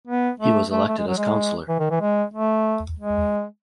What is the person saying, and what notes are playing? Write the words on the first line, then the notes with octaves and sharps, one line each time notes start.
He was elected as councilor.
B3
A3
A3
A3
G#3
F#3
G#3
E3
D#3
E3
G#3
A3
G#3